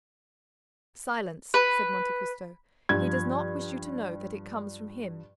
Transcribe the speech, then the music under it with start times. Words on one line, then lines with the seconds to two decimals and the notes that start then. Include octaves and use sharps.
"Silence," said Monte Cristo; "he does not wish you to know that it comes from him."
1.54 B4
2.89 G2 F3 G#6